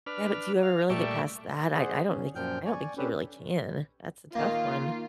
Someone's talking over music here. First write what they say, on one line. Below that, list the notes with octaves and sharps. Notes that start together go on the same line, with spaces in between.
Yeah, but do you ever really get past that? I I don't think I don't think you really can. That's a tough one.
D4 B4 F6
F5
A#2 G3 A3 D5 E5 C#6
G#4 C5 D5 F#5
C#4
F#2 A#2 F3 G5 F6 G6
D5 G#5 C#6
C#4 D4 G4 A4 B4
D#3 A#3 F4